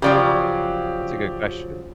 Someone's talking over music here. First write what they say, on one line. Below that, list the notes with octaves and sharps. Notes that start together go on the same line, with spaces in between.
That's a good question.
C#3 F3 F#3 G4 D5